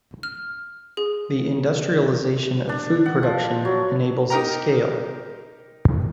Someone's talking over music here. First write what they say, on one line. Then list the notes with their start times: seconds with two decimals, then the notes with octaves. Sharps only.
The industrialization of food production enables scale.
0.23 F6
0.97 G#4
2.69 D4
3.06 F#5
3.23 F3
3.65 F#3
4.30 D#4 G4 A#4 G5 A#5